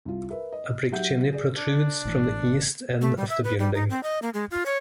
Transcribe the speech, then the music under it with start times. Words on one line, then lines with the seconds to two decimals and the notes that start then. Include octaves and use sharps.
A brick chimney protrudes from the east end of the building.
0.05 C2 F4
0.30 A#4 B4 E5
0.52 D#5
0.92 F#3 G4 E5 F#5 G6
1.32 G#4 D5
1.57 D4
2.05 G#1 A2 E3
3.01 A3
3.17 G3
3.29 E5
3.44 B4
3.59 G3
3.74 D#4
3.90 C4
4.03 D#5
4.22 A#3
4.34 G#3
4.51 F4
4.66 C#5